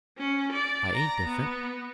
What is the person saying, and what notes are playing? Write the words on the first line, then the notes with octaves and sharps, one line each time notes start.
I ain't different.
C#4
D5
A#5
B3